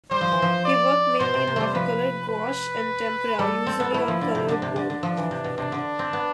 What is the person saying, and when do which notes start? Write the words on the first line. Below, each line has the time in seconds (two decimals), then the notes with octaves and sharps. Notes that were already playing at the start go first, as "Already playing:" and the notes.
He worked mainly in watercolor, gouache, and tempera, usually on colored board.
0.11 G3 C5
0.21 F3
0.32 E3
0.42 F3
0.65 D5
1.20 B2 C5
1.34 C3
1.47 C3
1.56 G3 A3
1.75 F3 B4
2.29 B4
3.39 G3 A4
3.67 C4
3.80 B3
3.93 A3 E4
4.08 F3
4.21 D3
4.35 C3
4.48 D3 D4
4.62 C3
4.76 D3
4.90 D3
5.03 F3
5.17 E3
5.31 C3
5.44 B2
5.58 C3 D4
5.72 D3
5.99 C4
6.13 B3